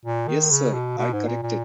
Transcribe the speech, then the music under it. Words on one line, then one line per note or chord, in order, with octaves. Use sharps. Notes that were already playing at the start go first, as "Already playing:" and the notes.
Yes, sir, I corrected.
A#2
D#3
C#3
B2
B2
G#2
A#2
A#2